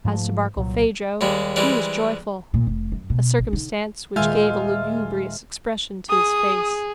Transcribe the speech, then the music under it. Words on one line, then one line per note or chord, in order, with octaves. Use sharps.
As to Barkilphedro, he was joyful--a circumstance which gave a lugubrious expression to his face.
G#2 F3 A3
C2 A#2 F#3
D#2 G3 G#3
E3 G3 G#3 C4
A#2
F1
F#2
B2
A1
D3 D#4
D#1 G#3 F4 E5 G#5 F6 G6
G#4 D#6